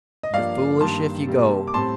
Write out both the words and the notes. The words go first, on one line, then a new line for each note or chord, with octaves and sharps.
You're foolish if you go!
D#5
G2 F3 A#3 D5 F5
G2 D#3 G3 A#3 A5 C6
C3 G3 A#3
D6
A2 G3 C4 A5 C6